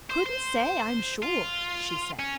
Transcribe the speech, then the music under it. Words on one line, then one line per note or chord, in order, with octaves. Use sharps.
"Couldn't say, I'm sure," she said.
C5
C5
F4
C#4